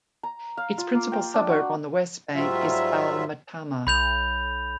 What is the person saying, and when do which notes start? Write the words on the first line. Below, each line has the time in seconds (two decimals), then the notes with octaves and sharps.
Its principal suburb on the west bank is Al-Matamma.
0.23 A#5
0.57 F5
0.78 F4
0.95 A#3
1.12 G5
1.34 D4
1.49 F#4
2.35 G#2 F#3 G3 F4 E5
3.87 B1 B5 G6 F7